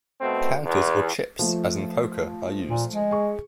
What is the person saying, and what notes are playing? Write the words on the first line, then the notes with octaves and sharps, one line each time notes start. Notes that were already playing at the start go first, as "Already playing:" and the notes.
Counters or chips, as in poker, are used.
B2 A3 C4
E2
F3 A3
A#2
G#3
G#4 C#6